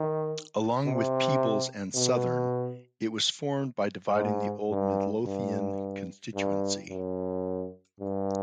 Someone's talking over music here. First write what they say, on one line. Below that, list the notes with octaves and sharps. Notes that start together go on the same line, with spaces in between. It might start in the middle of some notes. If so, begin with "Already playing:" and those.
Along with Peebles and Southern, it was formed by dividing the old Midlothian constituency.
Already playing: D#3
C3
B2
G#2
G2
G2
G2
F#2
G2